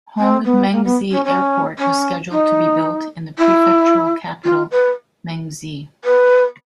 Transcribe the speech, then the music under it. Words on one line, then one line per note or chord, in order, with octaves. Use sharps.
Honghe Mengzi Airport was scheduled to be built in the prefectural capital Mengzi.
C4
B3
A#3
B3
C#4
C#4
C#4
D#4
E4
F4
B4
B4